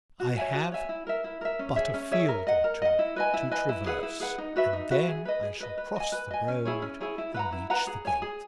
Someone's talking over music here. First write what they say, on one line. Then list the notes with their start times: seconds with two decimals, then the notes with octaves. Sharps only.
I have but a field or two to traverse, and then I shall cross the road and reach the gates.
0.20 F#4
0.37 C#5 E5 G#5
0.54 F#4
0.72 C#5 E5 G#5
0.89 E4
1.07 A#4 E5
1.24 E4
1.41 A#4 E5
1.59 C#4
1.76 G#4 C#5 E5
1.94 C#4
2.11 G#4 C#5 E5
2.28 A#4
2.47 D#5 F#5
2.64 A#4
2.82 D#5 F#5
2.99 E4
3.16 B4 D#5 G#5
3.34 E4
3.51 B4 D#5 G#5
3.69 E4
3.86 G#4 B4 F#5
4.03 E4
4.20 G#4 B4 F#5
4.38 D#4
4.56 F#4 B4 E5
4.73 D#4
4.91 F#4 B4 E5
5.08 G#4
5.25 B4 D#5
5.43 G#4
5.60 B4 D#5
5.78 B4
5.96 D#5 G#5
6.12 B4
6.31 D#5 G#5
6.48 C#4
6.65 E4 G#4 C#5
6.82 C#4
7.00 E4 G#4 C#5
7.18 E4
7.34 B4 F#5 A#5
7.52 E4
7.70 B4 F#5 A#5
7.87 G#4
8.05 C#5 G#5
8.22 G#4